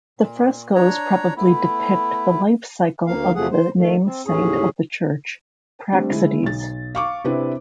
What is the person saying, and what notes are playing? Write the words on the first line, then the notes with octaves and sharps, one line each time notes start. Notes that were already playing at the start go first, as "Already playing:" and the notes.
The frescoes probably depict the life-cycle of the name saint of the church, Praxedes.
A#2
D4 C#5 A#5
A3 B3 E4
D2 A#3 F5
E2 C3 F3 A3 G#4 F#5
C5
D#3 A3
C4
D#2 A2 C#4 G#4
G3 A3 C4 D4
D3 G#3 E4
B1 A6
F5 C#6 D6
C3 C4 D4 E4 B4